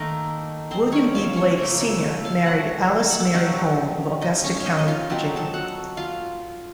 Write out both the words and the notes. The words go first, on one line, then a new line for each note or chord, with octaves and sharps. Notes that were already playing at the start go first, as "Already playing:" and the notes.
William B. Blake, Senior married Alice Mary Home, of Augusta County, Virginia.
Already playing: D#3 A3 A#3 D#4 A#4
C4 C5
C#4 C#5
F4 F5
C#4 C#5
C#3 F3 A3 A#3 A#4
A3 A4
A3 A4
F4 F5
F#4 F#5
A5
F#5
A4 A5
C3 F#3 A3 D#4 F#4 F#5
D#4 D#5
C#4 C#5
F5
D#4 D#5
D#5
F4 F5
F#3 C4 D#4 A5
A4 A5
F#4 F#5
F4 F5